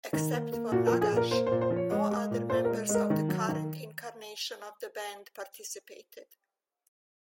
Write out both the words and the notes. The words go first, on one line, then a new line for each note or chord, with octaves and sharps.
Except for Nagash, no other members of the current incarnation of the band participated.
D#3
A#3
A#3
A#2 F#4
A#4
F3
G#4
A#2 A#4
A#3 C5
C5
A#2
C5
F3
C#5
G#3
G#3
A#2
A#2 C5
A#4
G#3
G#3
A#4
D#3
F#3
D#3